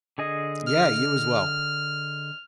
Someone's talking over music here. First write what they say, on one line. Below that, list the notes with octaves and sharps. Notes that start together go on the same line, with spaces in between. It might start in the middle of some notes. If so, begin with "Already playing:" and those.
Yeah, you as well.
D3 G#4 D#5
F6